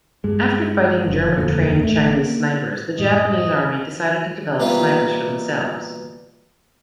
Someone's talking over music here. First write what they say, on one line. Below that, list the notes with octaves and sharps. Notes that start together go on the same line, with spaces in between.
After fighting German-trained Chinese snipers, the Japanese Army decided to develop snipers for themselves.
G2 G#3
F#1
D#1 F2 A#2 D3
A1 A3
A#3
F#2 A2 G#3 D#5
B2 E3 G3 A#3 F4 G4